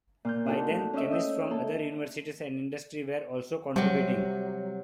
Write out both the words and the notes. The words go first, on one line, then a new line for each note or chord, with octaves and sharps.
By then, chemists from other universities and industry were also contributing.
A#2 F6 G6
C4 D4 D#4 F#4 A4
A3
C#4 D4 F4 D#5 E5
D#5 G5 E6
A#3 A4
C3 F#3 G3